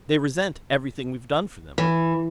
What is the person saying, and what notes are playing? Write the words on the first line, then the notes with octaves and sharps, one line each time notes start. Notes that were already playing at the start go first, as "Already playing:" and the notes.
"They resent everything we've done for them."
E3